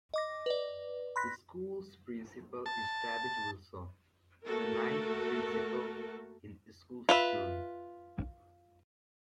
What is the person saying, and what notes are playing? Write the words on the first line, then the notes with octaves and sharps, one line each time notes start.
The school's principal is David Wilson, the ninth principal in school history.
D#5 D6 A#6
B4 D5
B5 C6 F#6 A#6 B6
A5
A3 A#3 F#4 A4 A#4
F4 B4 E5